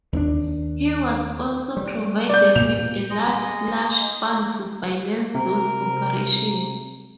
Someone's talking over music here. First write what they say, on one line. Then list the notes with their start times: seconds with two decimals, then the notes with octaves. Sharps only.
He was also provided with a large slush fund to finance these operations.
0.13 D#2 C4 D4
1.77 G3
2.29 D5 G6
2.56 A#2 F7
3.10 G#3 D#5
5.35 C3 A#4